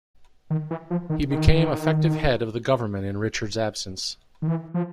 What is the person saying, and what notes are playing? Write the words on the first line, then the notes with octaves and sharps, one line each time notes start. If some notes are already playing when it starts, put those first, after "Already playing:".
He became effective head of the government in Richard's absence.
D#3
E3
F3
D#3
D#3
D#3
E3
F3